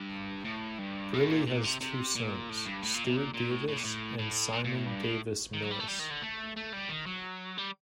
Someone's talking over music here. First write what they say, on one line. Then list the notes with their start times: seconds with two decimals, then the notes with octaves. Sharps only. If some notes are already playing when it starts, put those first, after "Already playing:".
Briley has two sons, Stewart Davis and Simon Davis-Millis.
Already playing: G2
0.44 A2
0.78 G2
1.14 A2
1.31 A#2
1.47 A#2
1.64 C3
1.81 C3
2.15 A#2
2.49 A2
2.66 G2
2.82 A2
2.94 A#2
3.05 C3
3.17 A#2
3.34 A#2
3.51 A2
3.68 A2
3.78 A#2
3.84 A2
4.18 A2
4.52 A#2
4.64 A#2
4.75 A2
4.86 G2
5.03 A2
5.54 D#3
5.63 F#3
5.71 G3
5.80 A3
5.88 G3
5.99 D#3
6.10 D3
6.22 A3
6.57 A3
6.73 G3
6.90 D#3
7.07 F#3
7.58 G3